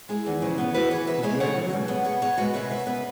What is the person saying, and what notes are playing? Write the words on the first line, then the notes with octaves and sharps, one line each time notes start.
"You mean--the murderer?" I gasped.
G#3 E4 G#4
E2
C#3
B3
E3 F#4 B4
E3 G#4 C#5
C#3 B4 E5
G#3 G#4 C#5
C#3 C#5 F#5
C#3
B2
B3
B2 G#4 C#5
B3 G#4 C#5
G#3 F#4 B4
C#3 B4 E5
C#3 B4 E5
B3 B4 E5